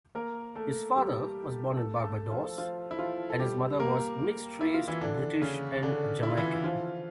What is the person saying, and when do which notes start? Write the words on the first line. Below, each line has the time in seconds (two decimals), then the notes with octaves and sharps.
His father was born in Barbados and his mother was mixed-raced British and Jamaican.
0.15 A#3 A#4
0.55 A3 A4
0.96 G3 G4
1.77 A3 A4
2.04 A3 A4
2.31 F3 F4
2.58 F3 F4
2.91 E4
2.99 F3 F4
3.30 A4
3.39 G3 G4
3.80 A#3 A#4
4.61 E4
4.74 F4
4.88 E3 E4
5.01 D3 D4
5.42 C#3 C#4
5.83 D3 D4
6.23 E4
6.30 F4
6.37 E3 E4
6.64 F3 F4